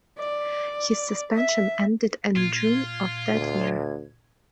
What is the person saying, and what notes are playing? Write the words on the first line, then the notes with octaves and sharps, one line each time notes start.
His suspension ended in June of that year.
D5
E5
A#2 F4 G#6
D2